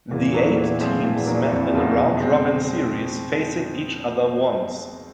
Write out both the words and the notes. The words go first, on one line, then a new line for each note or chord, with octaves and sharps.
The eight teams met in a round-robin series, facing each other once.
E2 A#2
F#3 A3 D4
A#2
F3 G#3 C4
E2 A#2
F#3 A#3 D4
F2
C#3 F3 A#3 D#4
B2
G#3 C4